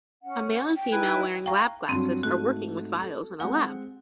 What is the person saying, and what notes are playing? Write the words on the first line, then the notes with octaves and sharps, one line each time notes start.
A male and female wearing lab glasses are working with vials in a lab.
C#4 F#5
G5
D#4 E4 B4 G#5
F5 G5 A#5 C#6
G2 F#3 C4
G#2 A3 F#4
A4
G#3 C4 F#5 G#5